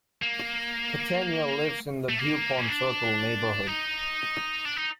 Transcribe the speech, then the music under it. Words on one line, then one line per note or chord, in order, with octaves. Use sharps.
Catania lives in the Dupont Circle neighborhood.
A#3
A3
A#3
C#4
D4
D#4
D4
D#4